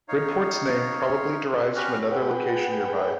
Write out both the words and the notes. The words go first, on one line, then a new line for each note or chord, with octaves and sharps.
Bridport's name probably derives from another location nearby.
D#4 C#5 F5
C#4 F#4 G4 B4 F6 F#6
G#4 B4 F#5 G5